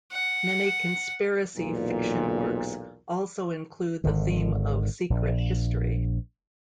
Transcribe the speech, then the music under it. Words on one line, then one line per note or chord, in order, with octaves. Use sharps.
Many conspiracy fiction works also include the theme of secret history.
F#5
B1 E2 A#2
G#1 D3 D#3
A#1